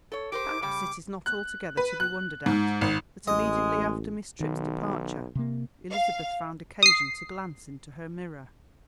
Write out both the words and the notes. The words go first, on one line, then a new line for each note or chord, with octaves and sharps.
Perhaps it is not altogether to be wondered at that immediately after Miss Tripp's departure Elizabeth found occasion to glance into her mirror.
A4 C#5
G4 A#4 C5 D6
C#3 G3 D6
F#6
B4
F#6
G#2
G#1
A1 G#3 D#5
B1 D#3
C3 A#3
F5
D#6 C7